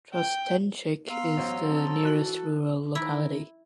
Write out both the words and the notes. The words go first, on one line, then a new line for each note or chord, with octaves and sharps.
Trostenchik is the nearest rural locality.
G5
B3 F5 A#5 C6 E6
A1 F#3 C5
C4 A4
E3 F#4 F#6 F#7
D#3 E4 A#4